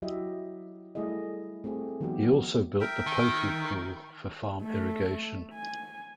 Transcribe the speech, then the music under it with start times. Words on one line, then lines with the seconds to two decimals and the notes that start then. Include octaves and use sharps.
He also built the Pofu Pool for farm irrigation.
0.02 F#3 E4 G4 D#5 E5
0.95 G3 A3 E4 G#4 D#5
1.64 A3 C4 G4 G#4
2.01 D#3 F3 G3 B3 F#4 G4
2.80 A#4 E5 G5
3.07 D#3
4.62 A3
5.54 G#5